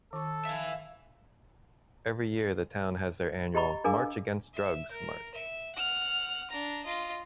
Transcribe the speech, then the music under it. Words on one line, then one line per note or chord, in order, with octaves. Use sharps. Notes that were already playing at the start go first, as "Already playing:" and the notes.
Every year the town has their annual "March Against Drugs" march.
D#3 A4 C#6
E5 F5 G#5
G4 D#5 A#5 B5 C#6
D4 G#4 A#4 F5 G#5 D6
E5
A#4
E5
F#5 F6
D4 A#5
F4 D#5